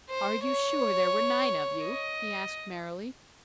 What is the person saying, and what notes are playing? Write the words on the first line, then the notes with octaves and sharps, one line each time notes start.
"Are you sure there were nine of you?" he asked, merrily.
C5
C#5
D#5